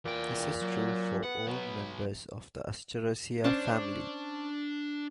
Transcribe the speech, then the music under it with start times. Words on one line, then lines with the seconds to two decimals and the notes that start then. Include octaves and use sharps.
This is true for all members of the Asteraceae family.
0.05 E2 A#2 G5
0.61 F#3
1.24 B3 F#5
1.48 F#3 B4
3.44 C#4 D4 C5 D5